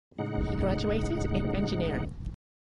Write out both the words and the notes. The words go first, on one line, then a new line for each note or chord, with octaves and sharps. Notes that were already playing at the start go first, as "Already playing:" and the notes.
He graduated in engineering.
A2 C#3 G#3 D#4 F#5